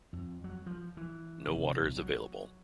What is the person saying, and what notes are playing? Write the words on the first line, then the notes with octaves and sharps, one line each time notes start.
No water is available.
F2
F#3
F3
E3
F1
B1
F#3